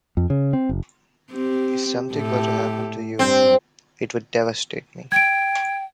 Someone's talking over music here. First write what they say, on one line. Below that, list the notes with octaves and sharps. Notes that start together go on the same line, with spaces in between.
If something were to happen to you, it would devastate me.
F2
C#3
C4
F#1
C4 G4
A2 G4 A4
G2 C4
G5 G#6 D7